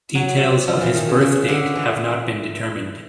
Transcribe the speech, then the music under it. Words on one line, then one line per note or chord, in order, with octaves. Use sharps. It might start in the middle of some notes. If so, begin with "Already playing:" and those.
Details of his birth date have not been determined.
F#3
F3
E3
D#3
C#3
C#3
D3
E3